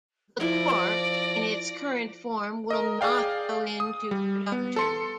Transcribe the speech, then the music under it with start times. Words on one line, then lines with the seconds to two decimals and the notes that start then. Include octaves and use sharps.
The Quark in its current form will not go into production.
0.40 F3 E4 A#4 D5 A#6 D7
2.70 A#4 D#5
3.01 G#4 D5 F5 G5
3.80 D#6
4.11 G3
4.52 B3
4.76 A4 C6 C#7